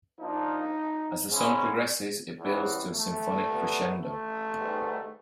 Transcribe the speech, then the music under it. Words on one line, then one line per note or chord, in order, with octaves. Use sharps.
As the song progresses, it builds to a symphonic crescendo.
F3 A#3 D4 D#4 F4
G#2 E3 G#3 C#4 E4
E2 C#3 E3 G3
A3
A#2 G3 B3
A3
G#2 D#3 G3 B3